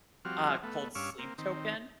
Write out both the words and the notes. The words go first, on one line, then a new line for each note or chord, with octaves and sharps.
uh, called Sleep Token.
F3 G3 C4 F#4 F6
A3 B3
G2 C#4 F5 C#6 D6 E6
A#3 C4
D#3 C4